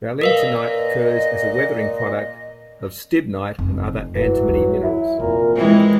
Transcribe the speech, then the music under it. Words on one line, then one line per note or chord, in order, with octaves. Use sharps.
Valentinite occurs as a weathering product of stibnite and other antimony minerals.
A#2 A#4 B4 D#5 F5
F1
G1 C2 E3 F#3
E2
E4
F1 A#2 A#4
E3 G#3 C4